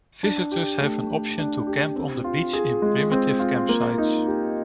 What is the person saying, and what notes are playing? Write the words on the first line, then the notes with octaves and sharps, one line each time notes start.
Visitors have an option to camp on the beach in primitive campsites.
D4
G4
A3
A3
D4
G4
C4
F4
G#4
G#3
C4
F4
A#3
D#4
G4